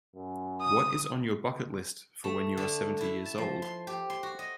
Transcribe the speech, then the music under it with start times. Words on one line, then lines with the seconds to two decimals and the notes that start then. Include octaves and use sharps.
What is on your bucket list for when you are seventy years old?
0.16 F#2
0.61 D#6
2.24 A3
2.57 D3
3.01 E4
3.26 A5
3.38 F3
3.62 C6
3.87 G4
4.10 C6
4.23 F#4
4.39 D#5